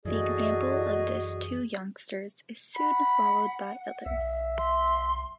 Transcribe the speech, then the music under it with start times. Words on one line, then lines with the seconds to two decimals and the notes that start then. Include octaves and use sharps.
The example of this two youngsters is soon followed by others.
0.05 F#2 E3 F#4 G#4 A4 D5 D#5
2.75 F#5 B5
4.06 B1 E5
4.58 C6